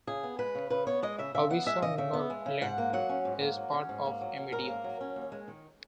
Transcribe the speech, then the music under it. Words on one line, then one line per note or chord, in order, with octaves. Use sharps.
"Avisa Nordland" is part of Amedia.
C#3 G#4
B3
G#3 B4
C#3
C#3 B4
B3 C#5
G#3 D#5
C#3 E5
C#3 E5
B3 F#5
G#3 E5
C#3 D#5
C#3 E5
B3
G#3
C#3
G#2 F#5
A#3
F#3 F#5
C#4
G#2
A#3
F#3
C#4
G#2
A#3
F#3
C#4
G#2 A#4
A#3
F#3
C#4
D#2
G#3
D#3